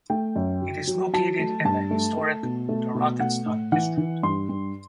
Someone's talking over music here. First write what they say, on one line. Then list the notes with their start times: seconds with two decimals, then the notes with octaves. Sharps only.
It is located in the historic Dorotheenstadt district.
0.10 A3 G5
0.36 F#2
0.61 F#3
0.87 F#3
1.13 F#3 A5
1.39 A3
1.65 G2 A5
1.91 A3
2.17 A3
2.43 B2
2.69 A3
2.95 B2
3.20 A3 F#5
3.46 A2
3.72 E3 F#5
3.98 E3
4.23 G2 C6
4.49 G2